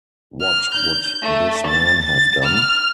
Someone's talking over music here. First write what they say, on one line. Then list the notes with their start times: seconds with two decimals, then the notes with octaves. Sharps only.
What would this man have done?
0.41 F6
0.74 G6
1.22 A3
1.67 A6
2.05 A6
2.44 F6